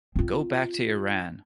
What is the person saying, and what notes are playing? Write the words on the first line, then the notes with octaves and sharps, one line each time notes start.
Go back to Iran!
C4 F4